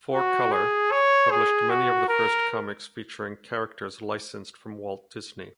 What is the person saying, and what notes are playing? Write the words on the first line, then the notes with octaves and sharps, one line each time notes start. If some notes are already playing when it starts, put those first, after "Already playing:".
"Four Color" published many of the first comics featuring characters licensed from Walt Disney.
F#4
G#4
C#5
G#4
F#4
A#4